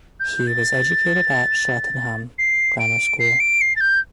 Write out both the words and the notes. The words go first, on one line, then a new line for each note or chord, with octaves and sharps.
He was educated at Cheltenham Grammar School.
G6
A6
C7
D7
C7
D7
C7
A6
G6